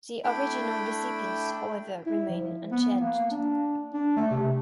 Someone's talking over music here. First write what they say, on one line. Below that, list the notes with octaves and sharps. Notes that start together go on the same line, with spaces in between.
The original recipients, however, remain unchanged.
A3 D4 E4 G5 B5
E4
F3
B3
A#3
D4
D4
A3
C3